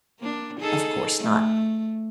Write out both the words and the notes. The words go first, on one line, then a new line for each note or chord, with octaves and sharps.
Of course not!
A#3 D4
D#4 G#4 A4
A3